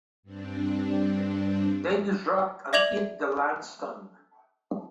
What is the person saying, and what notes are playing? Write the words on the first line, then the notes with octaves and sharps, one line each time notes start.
They disrupt and eat the limestone.
G2 C4 D4
D5 E5 D6 G#6 F7 F#7